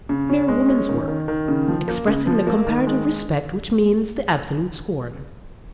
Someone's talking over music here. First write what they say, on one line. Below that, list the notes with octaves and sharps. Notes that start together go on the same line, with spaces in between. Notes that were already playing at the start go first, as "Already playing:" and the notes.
"Mere woman's work Expressing the comparative respect Which means the absolute scorn."
C#3
C#4
G#3
C#4
D#3
D#3
D#3
C#3
F3
A#3
C#3
F3
A#3
D#3
G#3